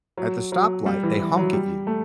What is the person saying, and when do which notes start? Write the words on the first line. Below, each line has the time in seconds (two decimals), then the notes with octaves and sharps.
at the stoplight they honk at you.
0.17 F#3
0.52 F#3
0.86 G3
1.03 E3
1.19 E3
1.37 F#3
1.53 G3
1.87 A3